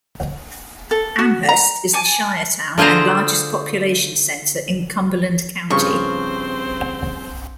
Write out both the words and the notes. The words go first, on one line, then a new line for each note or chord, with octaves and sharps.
Amherst is the shire town and largest population centre in Cumberland County.
A4
F#4
A#5
G#5 A5 D6
D3 F4 G#4 C5 A#5
G2 C#3 F3 C4 C5 C#6